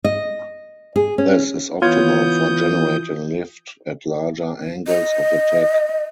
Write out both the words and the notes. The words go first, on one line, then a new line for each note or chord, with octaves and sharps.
This is optimal for generating lift at larger angles of attack.
D#5
G#4
C#4
E3 B3 F4 C#5 D#6 G6 G#6
D#5